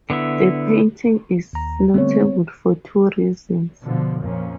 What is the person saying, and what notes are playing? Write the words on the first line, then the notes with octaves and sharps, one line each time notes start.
The painting is notable for two reasons.
D3 B3 E4 E5
D#2 A#5
D3 G3 A3 B3 C4 C#5
B2 D3 F3
F2 A#2 F3 A#3 C#4